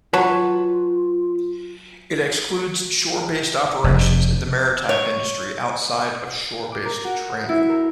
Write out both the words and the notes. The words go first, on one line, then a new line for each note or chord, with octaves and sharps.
It excludes shore based operations in the maritime industry outside of shore based training.
F#3 F4 F#4 B4 C#5 A5
F1
C#5
D6
A#4
F#4
E4
A#4